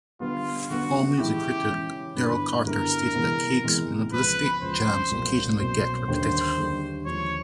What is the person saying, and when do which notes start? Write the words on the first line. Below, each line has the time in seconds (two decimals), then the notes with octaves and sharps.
AllMusic critic Darryl Cater stated that Cake's minimalist jams occasionally get repetitive.
0.20 D3 G3 B3 F4
0.70 D3 G3 B3 F#4
1.18 C#3 E3 G#3 C#4 E4 G4
1.68 C#3 E3 G#3 C#4 E4
2.16 G2 D3 G3 B3 E4 B4
2.65 G2 D3 G3 B3 E4 A#4
3.14 C3 E3 G#3 B3
3.64 C3 E3 G#3 B3
4.13 C#2 C#3 F3 B4
4.61 C#2 C#3 F3 C5
5.11 C2 B2 F#3 A#3 C#4
5.59 C2 B2 F#3 A#3 C#4 C5
6.08 D#2 D3 G3 C5
6.58 D#2 D3 G3
7.06 D#2 D3 F3 G#3 C#5